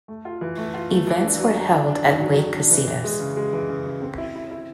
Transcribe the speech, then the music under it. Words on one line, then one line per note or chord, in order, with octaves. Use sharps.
Events were held at Lake Casitas.
A3
F4
E3
A3
F4
A3
E3
D4
F#3
F#3
D4
D4
D#3
F#3
D#3
D4
E3
E3
G#3
C#3
G#3
E3
C#3
E3
C4
E4
E4
E4